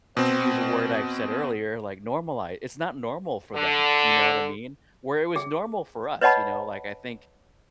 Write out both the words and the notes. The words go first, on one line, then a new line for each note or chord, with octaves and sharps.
to use a word I've said earlier, like, normali it's not normal for them, you know what I mean? Where it was normal for us, you know, like I think
B2 C4
D3
G#4
B4 C#5 D#5 F#5 A5 B5